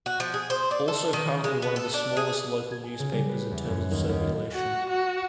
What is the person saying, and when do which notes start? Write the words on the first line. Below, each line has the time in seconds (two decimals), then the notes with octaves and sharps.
Also currently one of the smallest local newspapers, in terms of circulation.
0.06 F#4
0.20 F3
0.34 G#4
0.50 C5
0.71 D5
0.88 A4
1.13 D#3
1.44 G#3
1.62 B3
1.76 A4
1.93 D4
2.17 G#4
2.72 G#6
2.83 G#5
2.99 C#3
3.12 G3
3.29 B4
3.51 E2
3.68 F#2
3.91 D#2
4.09 D#2
4.21 F4
4.53 F#4
4.90 F#4